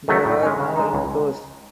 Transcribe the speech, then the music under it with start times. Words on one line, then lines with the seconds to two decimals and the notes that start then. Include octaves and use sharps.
There are no inflows.
0.08 D#3 F#3 A3
0.25 A2
0.43 G#3 C#4
0.60 C#3
0.76 G#3 D#4
0.93 C#2